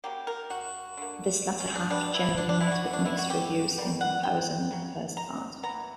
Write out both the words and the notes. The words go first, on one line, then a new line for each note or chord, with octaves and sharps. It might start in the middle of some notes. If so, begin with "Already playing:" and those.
This latter half generally met with mixed reviews in comparison with the first part.
C#3 F#3 A#3 G4
A#4
F#4
D3 A#3
C#4
D4
B2 G3 B3 D4
E4
D4
D4
E4
F#4
C#3 E3 B3
D4
E4
F#4
G4
B2 G3 A#3
F#5
G5
C#3 F#3
A#5
B3 A#5
E3